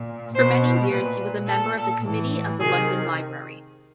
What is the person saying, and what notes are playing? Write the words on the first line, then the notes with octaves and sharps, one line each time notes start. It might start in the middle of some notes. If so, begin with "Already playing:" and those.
For many years he was a member of the committee of the London Library.
Already playing: A#2
B2 C5
A#2 B4
A#2 A4
A2 E3
C3 D#3 G#4